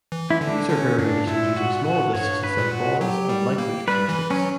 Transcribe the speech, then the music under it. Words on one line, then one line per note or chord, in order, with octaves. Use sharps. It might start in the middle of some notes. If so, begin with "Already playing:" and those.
These are variations using small disks instead of balls, and light-weight cue sticks.
E3
E4
D3 D4
D3 C#4
G2 D4
A#2 E4
F#4
F#4
G2 C#5
B4
A#2
F#4
F#3 G4
G3
A#3
G3 B4
E3 B4
F#3 C#4